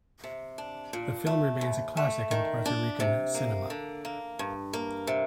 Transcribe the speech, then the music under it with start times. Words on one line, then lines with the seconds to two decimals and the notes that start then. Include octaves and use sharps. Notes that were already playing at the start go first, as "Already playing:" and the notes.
The film remains a classic in Puerto Rican cinema.
0.24 C3
0.58 D4
0.93 A#2
1.27 A3
1.61 D#2
1.97 A3
2.31 D#3
2.66 D4
3.00 C3
3.34 A#3
3.70 D3
4.05 A#3
4.39 G2
4.73 A#3
5.07 C3